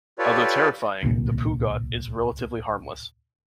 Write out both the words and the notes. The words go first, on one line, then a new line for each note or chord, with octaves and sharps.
Although terrifying, the "pugot" is relatively harmless.
F4 G4 A4 B4 C#5 D5
D1 C2 A#2